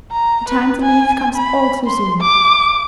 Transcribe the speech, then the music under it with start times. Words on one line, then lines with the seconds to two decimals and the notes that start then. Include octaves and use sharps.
The time to leave comes all too soon.
0.11 A#5
0.49 B4
0.82 G#5
1.36 B5
1.87 C6
2.21 D6